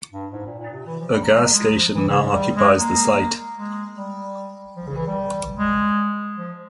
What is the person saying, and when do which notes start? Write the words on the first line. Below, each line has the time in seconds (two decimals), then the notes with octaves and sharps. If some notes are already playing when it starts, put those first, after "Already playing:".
A gas station now occupies the site.
0.12 G2
0.32 G#2
0.46 A#2
0.59 A#2
0.73 C3
0.86 E3
1.00 F3
1.13 G3
1.23 A#3
1.33 G#3
1.44 A#3
1.54 G#3
1.73 F3
1.94 E3
2.08 C#3
2.21 G#2
2.29 G#3
2.34 G3
2.55 G#3
2.75 A#3
3.55 G#3
3.95 G3
4.76 F3
4.87 C#3
4.96 E3
5.07 G3
5.57 G#3
6.37 F3